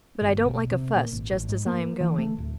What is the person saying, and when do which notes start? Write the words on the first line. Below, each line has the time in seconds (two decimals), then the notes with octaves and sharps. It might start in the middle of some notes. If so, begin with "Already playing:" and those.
But I don't like a fuss just as I am going.
0.22 G1
0.44 B1
0.71 C3
0.95 A#2
1.12 G#1
1.31 A1
1.49 G#2
1.66 A#3
2.01 E3
2.18 A3
2.38 D1